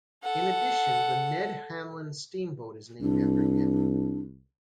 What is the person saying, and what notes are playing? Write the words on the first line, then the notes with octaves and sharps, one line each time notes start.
In addition, the Ned Hanlan Steamboat is named after him.
A4 F#5
C2 D4